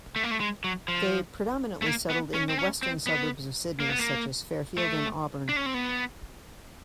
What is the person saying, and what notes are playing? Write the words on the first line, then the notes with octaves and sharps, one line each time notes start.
They predominately settled in the western suburbs of Sydney, such as Fairfield and Auburn.
A3
A#3
A3
G#3
F#3
F3
A3
A#3
B3
C#4
C4
C#4
C4
B3
A#3
B3
A#3
A3
D4
C#4
C4
B3